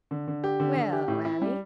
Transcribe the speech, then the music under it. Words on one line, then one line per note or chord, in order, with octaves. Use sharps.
"Well, Annie?"
D3
D3
G4
D3
D3
G4
A2
E4
G3